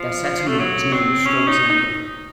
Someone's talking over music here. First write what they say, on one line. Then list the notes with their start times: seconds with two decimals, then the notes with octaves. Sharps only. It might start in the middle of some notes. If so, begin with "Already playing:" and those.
Their settlement was known as Strong's Landing.
Already playing: F3
0.48 A3
0.59 F#3
0.93 C4
1.26 C#4
1.48 D#4
1.70 D#4